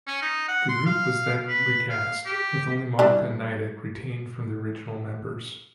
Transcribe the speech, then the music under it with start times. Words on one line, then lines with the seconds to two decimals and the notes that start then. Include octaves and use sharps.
The group was then recast, with only Monika Niedek retained from the original members.
0.07 C#4
0.22 D#4
0.48 F#5
0.69 C6
0.86 F5
1.49 B4
1.90 F5
2.26 G4
2.99 G3 D4 E4